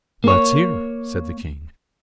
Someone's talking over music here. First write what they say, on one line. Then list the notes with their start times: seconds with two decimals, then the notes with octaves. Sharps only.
"Let's hear," said the king.
0.24 A#3 C#5